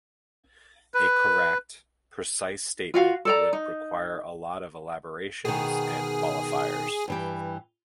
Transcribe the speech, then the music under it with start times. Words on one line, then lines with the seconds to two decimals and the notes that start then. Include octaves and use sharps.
A correct, precise statement would require a lot of elaborations and qualifiers.
0.94 B4
2.94 F4 F#4 F5
3.25 A4 D5 A#5
3.53 D#4
5.45 B2 D#3 G#4
7.08 G2 E3 G4